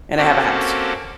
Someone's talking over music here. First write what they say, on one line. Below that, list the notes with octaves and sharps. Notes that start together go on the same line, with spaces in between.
and I have a house.
A#3 C4 C#4 F#4 G4 A4